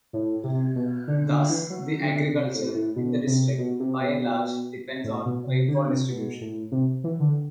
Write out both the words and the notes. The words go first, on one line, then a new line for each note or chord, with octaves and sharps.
Thus, the Agriculture in the district by and large depends on rainfall distribution.
A2
C3
B2
D3
D3
E3
F#3
D3
C3
A2
A2
B2
C3
B2
C3
B2
A2
B2
C3
D3
C3
B2
A2
C3
E3
D3